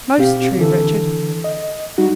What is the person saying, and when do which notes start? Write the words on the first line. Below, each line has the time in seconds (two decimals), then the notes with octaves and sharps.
'Most true, Richard.
0.18 B2 C4 G4 F5
0.57 D3 E3 A4
1.44 D#5
1.98 G3 D#4 F#4